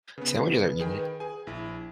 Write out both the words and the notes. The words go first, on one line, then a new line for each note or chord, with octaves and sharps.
Sandwiches are eaten
C#3 B3 B4
D#3 G#4 G5
G#4 G#5
A#1 E4